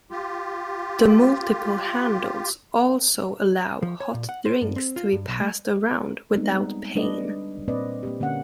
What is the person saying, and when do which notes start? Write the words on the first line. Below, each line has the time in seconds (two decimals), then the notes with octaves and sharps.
The multiple handles also allow hot drinks to be passed around without pain.
0.11 F4 G4
3.83 F3
4.00 C#5
4.14 A#2
4.29 F#5
4.46 C5
4.61 G2
4.76 C4
4.96 F4
5.12 G2
5.28 B1
5.40 A3
6.35 G3 G#3 B3 C4 D#4
6.95 G3 D4 B4 D5 D#5
7.68 A#2 A#3 C4 B4 D5 D#5
8.03 A#3 C4 G4
8.20 D3 A#3 C#4 F#5